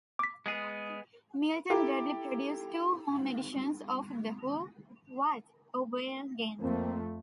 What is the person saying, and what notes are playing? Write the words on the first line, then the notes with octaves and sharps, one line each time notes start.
Milton Bradley produced two home editions of "The Who, What, or Where Game".
D6 B6
G#3 B3 G#4
E4 G4 A4 A#5
F2 A3 A#3 C4